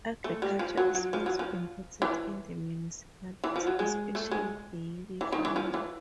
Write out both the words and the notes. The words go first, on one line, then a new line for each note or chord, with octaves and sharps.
Agriculture is also important in the municipality, especially dairy farming.
A3
G3
F3
F#3
F#3
F3
F#3
F3
E3
E3
F3
F#3
G#3
A3
G#3
E3
D#3
E3
F3
E3